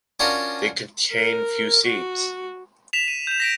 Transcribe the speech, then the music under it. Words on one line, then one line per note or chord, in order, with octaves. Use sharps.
They contain few seeds.
C#4 D4 F4 F#4 A#4 F#5
A#4
F#4
B6 E7 F7
D#7
G6 E7
A#6 B6 D7